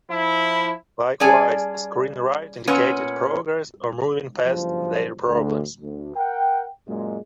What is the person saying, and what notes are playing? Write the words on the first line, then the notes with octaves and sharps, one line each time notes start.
Likewise, screen right indicated progress or moving past their problems.
F3 E4
G3 C#4 G#4 D5 G#5 A5
A#2 B3 C#4 B4
F#1 G2 F3
D2
D2
A#4 F#5 G5
F#2 A#2 G#3